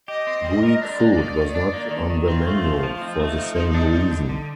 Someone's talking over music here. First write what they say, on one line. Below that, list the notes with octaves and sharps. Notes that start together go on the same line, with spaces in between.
Greek food was not on the menu for the same reason.
G4 D#5
C4
G3
A#4
D4 D5
A#3
D#3
D#3
D4
A#3
D#3
D#3
C4 F4
A3
F3
F3
F4
C4 D#4
A3
F3
F3
D4
G3
D3
D3